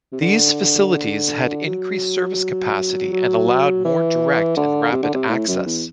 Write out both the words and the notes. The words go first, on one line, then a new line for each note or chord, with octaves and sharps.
These facilities had increased service capacity and allowed more direct and rapid access.
C3
D3
F#3
F#3
E3
D3
C3
D3
C3
A2
F#2
E2